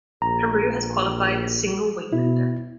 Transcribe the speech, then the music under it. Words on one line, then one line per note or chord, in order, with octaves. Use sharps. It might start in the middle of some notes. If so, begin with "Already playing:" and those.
Peru has qualified a single weightlifter.
A#1 A#5
B2 E4